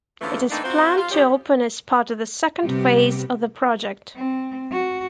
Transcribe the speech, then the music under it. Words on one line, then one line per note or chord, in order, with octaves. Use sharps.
It is planned to open as part of the second phase of the project.
E2 D3 E3 F3 A3 C#4
E3 A3 A#3 C4 D4 D#4
C4 D#4 F4 F#4 C5
F4
D3 F3 C#4 D#4 G4
C3 G3 B3 G4
C4
F#4